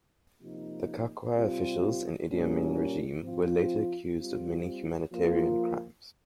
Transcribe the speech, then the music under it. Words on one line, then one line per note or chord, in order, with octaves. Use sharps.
The Kakwa officials in Idi Amin regime were later accused of many humanitarian crimes.
C3 F3 A#3 D#4
C3 G3 C4 F4
A#2 G3 A#3 C#4
F3 C4 F4
G3 C4 F4
F3 A#3 F4